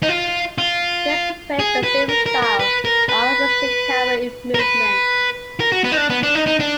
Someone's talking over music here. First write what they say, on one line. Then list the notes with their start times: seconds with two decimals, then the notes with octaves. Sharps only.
Critics praised the film's style and artistic camera movements.
0.03 D#4
0.09 F4
0.58 F4
1.59 G#4
1.84 B4
2.09 A#4
2.26 A#4
2.42 A#4
2.60 B4
2.85 A#4
3.09 B4
4.54 A#4
4.59 B4
5.60 A#4
5.72 F#4
5.84 B3
5.92 D#4
5.97 D4
6.10 B3
6.23 D4
6.35 D#4
6.47 D#4
6.60 D4